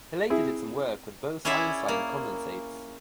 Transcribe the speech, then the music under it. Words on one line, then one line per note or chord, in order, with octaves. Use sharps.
He later did some work with Bose-Einstein condensates.
C4 E4 G#4
C#4 E4 G#4 D5 E5
A#3